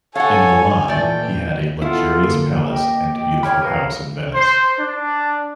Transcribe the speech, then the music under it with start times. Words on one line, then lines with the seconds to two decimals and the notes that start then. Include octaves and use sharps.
In Milan, he had a luxurious palace and beautiful house in Venice.
0.15 A4 C#5 F5 F#5 G#5
0.88 A#2 E3 A3 D5 G5
1.82 B3 E4 F4 A4
2.23 D3 A#3
2.71 G4 D#5 G5
3.43 C#5 G5 B5 F6 G#6
3.64 A#4 B4 F5
4.33 C5
4.79 D4